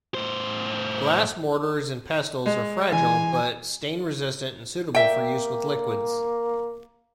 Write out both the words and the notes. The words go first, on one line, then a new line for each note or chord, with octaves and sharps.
Glass mortars and pestles are fragile, but stain-resistant and suitable for use with liquids.
A2 C5
G#3
E3 G#5
A#3 E5 G5